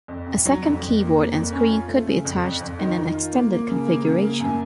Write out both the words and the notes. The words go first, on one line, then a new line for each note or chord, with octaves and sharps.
A second keyboard and screen could be attached in an extended configuration.
F2
C3
F#3
F2
F2
A#3
A#3
F2
C#4
F4
A3
C#3
F2
F2
F2
D#3
D#3
F4
A#3
A#3
C#3
A#3
C#3
A#3
F#2